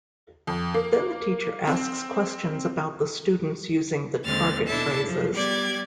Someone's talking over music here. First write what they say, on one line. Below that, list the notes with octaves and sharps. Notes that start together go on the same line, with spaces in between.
Then the teacher asks questions about the students using the target phrases.
F2
A#3
C4
D#2 D3 G#3 C4 F6 A6
B2 D4 E4 A4 E5 A5
F#2 F3
G3 B3 G4 D5 D6 G#6